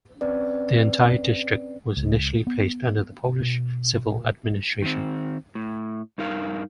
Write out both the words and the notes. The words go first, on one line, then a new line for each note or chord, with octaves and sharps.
The entire district was initially placed under the Polish civil administration.
C4 C#4 B4 D5
C#2
B3
B2
D#3 C4
A2
G2 D#4 A#4 F5